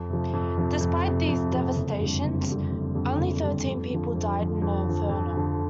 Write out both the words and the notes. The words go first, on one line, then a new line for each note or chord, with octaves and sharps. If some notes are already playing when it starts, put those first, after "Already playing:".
Despite these devastations, only thirteen people died in the inferno.
Already playing: F2
C3 F3
F2
C3 F3
F2
C3 F3
F2
C3 F3
F#1
F2 D3 G3 C4
F#1
F2 D3 G3 C4
F#1
F2 D3 G3 C4
F#1
F2 D3 G3 C4
F2
D3 F3
F2
D3 F3
F2
D3 F3
F2
D3 F3